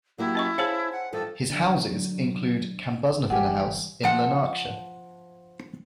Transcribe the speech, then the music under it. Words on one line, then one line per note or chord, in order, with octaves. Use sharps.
His houses include Cambusnethan House in Lanarkshire.
F#3 A#3 E4 G4
C#4 D#5 C#6
G#4 C5 C#5 F5 G#5 A5
F#5
G2 D#3 F3 A4
D3 F#3
G#4
G1 E3 G3 G4 F#5 G#5
F3 F#5